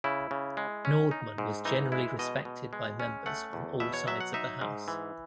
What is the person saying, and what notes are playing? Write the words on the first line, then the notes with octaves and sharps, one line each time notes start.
Nordman was generally respected by members on all sides of the house.
C#3 E4
C#3
G#3
C#4
D#4
G#2
E3 D#4
G#3 E4
B2 D#5
B2
G#3
C#4
A3 F#5
E2
B2 E5
C#5
F#3 E5
F#5
D#4 E5
G#2
E3